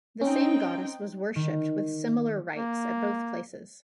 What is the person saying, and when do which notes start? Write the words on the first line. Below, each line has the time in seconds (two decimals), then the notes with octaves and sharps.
The same goddess was worshipped with similar rites at both places.
0.21 C4 C#4 D#4 G5
1.36 D#3
2.56 A#3